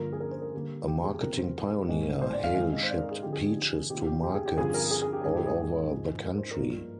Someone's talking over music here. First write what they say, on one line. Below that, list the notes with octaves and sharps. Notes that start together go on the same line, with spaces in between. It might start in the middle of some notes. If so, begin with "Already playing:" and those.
A marketing pioneer, Hale shipped peaches to markets all over the country.
Already playing: G2 D3 F3 A#3 F4 A#4
G#4
A#4
C5
A#4
D3 G3 A#3
G4
G#4
C3 F3 C4 A#4
C5
G#2 D#3 G#3
C5
D5
F5
D#3 G#3 C4 D#4 F5
D#5
C5
D5
A#4
G#4
D3 F3 C4 G4
G#4
G4
C3 D#3 A#3 F4 G4
G4
G4
G#4
G4
G2 D3 F3 C4 G#4
A#4
G#4
G#4
G4
G#2 D#3 G#3 G#4
G4
G#4
G4
G#4
G#4
G#2 F3 G#3
A#4
C5
A#4
G2 F3 A#3 D4 F4